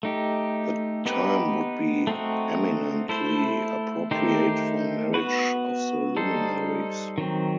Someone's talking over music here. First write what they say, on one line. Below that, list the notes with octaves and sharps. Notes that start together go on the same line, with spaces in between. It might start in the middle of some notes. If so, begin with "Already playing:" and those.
The time would be eminently appropriate for a marriage of the luminaries.
A3 D#4 G4
B3 D#4 G4 B4
A3 C4 D#4 F#4
A3 E4 A4 C5
D#3 A3 D#4 G4 C5
B3 F#4 B4
G3 D#4 A4 C5
D#3 F#3 C4